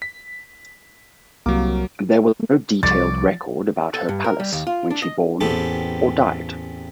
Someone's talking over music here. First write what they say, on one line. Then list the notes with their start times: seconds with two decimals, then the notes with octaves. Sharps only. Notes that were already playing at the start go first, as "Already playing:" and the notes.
There was no detailed record about her palace when she born or died.
0.02 B6
1.46 C2 F#3 A#3 D6
2.83 C2 F3 C#5 D5 A6
3.94 A4
4.09 G2
4.24 A#4
4.40 G3
4.53 D#2
4.67 F4
4.90 D4
5.02 D#5
5.41 A1 E2 B3 C4 G4 A4